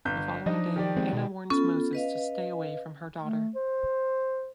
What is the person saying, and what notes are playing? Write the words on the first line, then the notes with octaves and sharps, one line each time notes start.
The following day Anna warns Moses to stay away from her daughter.
G1 G6
F3 D4 D#4 D#5
D#3 G4 D5
F3 G#3 C4
B2
B3 C#4 F4 A4
B4 D#5 F5
A3
C5